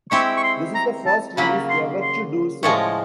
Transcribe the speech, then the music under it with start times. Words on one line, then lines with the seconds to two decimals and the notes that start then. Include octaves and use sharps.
This is the first release ever to do so.
0.11 G#3 C4 E4 G4 C#6
0.37 C#6
0.43 C6
0.75 A#5
1.06 A5
1.37 C#3 F#3 A#3 B5
1.70 C6
2.01 C6
2.63 A2 F3 G#3 C#6